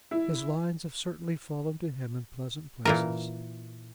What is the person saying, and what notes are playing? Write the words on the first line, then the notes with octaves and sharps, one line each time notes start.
His lines have certainly fallen to him in pleasant places.
E4
A#2 E3 A#4